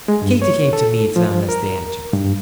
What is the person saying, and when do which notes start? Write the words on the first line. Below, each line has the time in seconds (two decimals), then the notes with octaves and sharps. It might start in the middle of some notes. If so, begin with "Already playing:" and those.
Katy came to meet them as they entered.
0.08 G#3
0.22 G2
0.42 C#5
0.73 A4
1.16 F3
1.49 A#4
2.13 G2